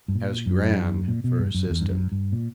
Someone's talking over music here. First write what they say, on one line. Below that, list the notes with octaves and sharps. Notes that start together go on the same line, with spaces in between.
He has Gran for assistant.
G2
A#2
F#2
A#2
B2
G2
F#2
E2
G2
F#2
G2
A#2